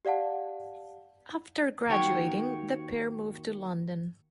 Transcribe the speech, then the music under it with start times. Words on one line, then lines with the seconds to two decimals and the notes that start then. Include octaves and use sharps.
After graduating, the pair moved to London.
0.05 G4 D5 F5 F#5 A5
1.89 D#2 D#3 F#4 C#5 G5